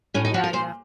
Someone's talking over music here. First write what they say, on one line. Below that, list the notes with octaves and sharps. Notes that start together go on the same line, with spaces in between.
Yeah, yeah.
A2 C#4
D#4
F3 F#4
A#4
A#2 C5